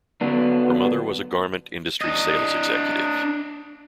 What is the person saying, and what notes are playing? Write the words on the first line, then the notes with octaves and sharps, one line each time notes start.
Her mother was a garment industry sales executive.
D3 F#3 B3 D4
D4 D#5